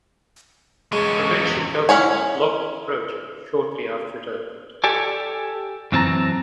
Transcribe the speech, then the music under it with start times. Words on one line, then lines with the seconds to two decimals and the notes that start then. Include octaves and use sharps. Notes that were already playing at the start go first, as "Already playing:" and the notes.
The provincial government blocked the project shortly after it opened.
0.92 E2 G#3 C#4
1.89 C#4 E4 C#5 G#5
4.84 G4 A4 D5 G#5
5.92 F#2 E3 C4 E4 A5 A#5